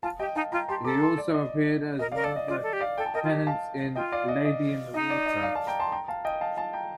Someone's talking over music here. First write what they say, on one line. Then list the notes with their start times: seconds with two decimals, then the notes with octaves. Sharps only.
He also appeared as one of the tenants in "Lady in the Water".
0.03 F4 F5 A5
0.19 G4 D#5 G5
0.35 D#4 F5 A5
0.52 F4 G5 A#5
0.68 G4 A5 C6
0.85 A4 A#5 D6
1.01 A5 C6
1.18 D5
1.34 D#5
1.99 A#4 D#5
2.12 D5 F5
2.15 A#4
2.24 A4 D5
2.36 D#5
2.48 F4 D5
2.63 A4
2.73 G4
2.81 D5 F5
2.98 A4 G5
3.06 A5
3.14 A#4 D#5 G5
3.24 F4
3.30 G4
3.47 F5 A5
3.96 F4 D#5 G5
4.12 D5 F5
4.28 D#5
4.45 D#5
4.94 D#4 D#5
5.10 D5
5.26 D#5
5.43 D5 F5
5.55 F5 A5
5.67 G5 A#5
5.80 A5 C6
5.92 G5 A#5
6.08 F5 A5
6.25 D#5 G5
6.41 F5 A5
6.57 F5 A5
6.73 G5 A#5